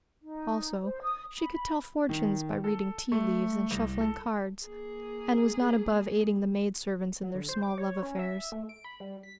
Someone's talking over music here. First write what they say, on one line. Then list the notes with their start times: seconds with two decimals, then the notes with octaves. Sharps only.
Also, she could tell fortunes by reading tea-leaves and shuffling cards, and was not above aiding the maid servants in their small love affairs.
0.23 D#4
0.83 C5
1.02 D#6
1.38 B5
2.09 D#3
2.64 A4
3.12 A3
3.71 C2
4.00 A4
4.66 A#3 G#4
7.23 F#3
7.35 D3
7.49 C5
7.63 D6
7.78 C#5
8.03 C#4
8.19 E5
8.52 A3
8.69 D7
8.85 B5
9.00 G3
9.23 B6